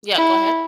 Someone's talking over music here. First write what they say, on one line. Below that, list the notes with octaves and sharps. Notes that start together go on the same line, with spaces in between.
Yeah, go ahead.
E4